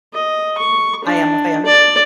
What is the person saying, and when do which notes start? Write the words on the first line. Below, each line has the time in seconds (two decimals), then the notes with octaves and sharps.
I am a fan.
0.13 D#5
0.57 C#6
1.04 D4
1.65 D5